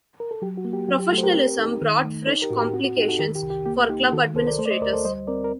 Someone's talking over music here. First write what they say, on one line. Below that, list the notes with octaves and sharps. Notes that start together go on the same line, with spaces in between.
Professionalism brought fresh complications for club administrators.
A#4
A4
F#3 G4
F#4
A#3
G4
F#3 F#4
G4
A3 F#4 A4
C5
G4 A#4
C4
D#4
D#3
A3
D#4 A4 C5
G4 A#4
A2 F#4
G4
C4 F#4
F#4
D#4 G4
F#4 A4
D#3 G4 A#4
G4
C2
G4
A#3 G4
D#4 G4
D#3 F#4 A4
C2 A4 C5
A#4 D5
A3 A4 C5
D5
C5 D#5
D2 A#4 D5
A4 C5
G3 C5 D#5
C4 A#4 D5
A#4